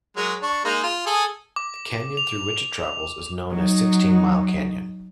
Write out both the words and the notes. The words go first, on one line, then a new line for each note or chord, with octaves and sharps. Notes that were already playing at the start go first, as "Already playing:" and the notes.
The canyon through which it travels is known as Sixteen Mile Canyon.
F#3 G#3 A#4
D4 C#6
G#3 A#3 D#4
F4
G#4 A4
D6
F7
F#3 D#4